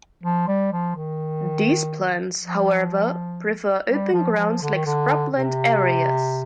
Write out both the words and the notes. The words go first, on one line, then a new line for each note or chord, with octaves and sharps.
These plants, however, prefer open grounds like scrubland areas.
F3
G3
F3
D#3
F3
G3
F3
F3
D3
D#3
D3
C3